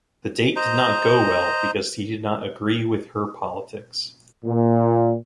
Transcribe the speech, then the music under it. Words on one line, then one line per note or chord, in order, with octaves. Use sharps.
The date did not go well because he did not agree with her politics.
C5 D#5 A#5
A#2